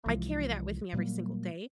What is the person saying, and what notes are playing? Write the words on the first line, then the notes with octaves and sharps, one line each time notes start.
I carry that with me every single day,
C2 E3 F3 G#3
A#2 F#3 G3 A#3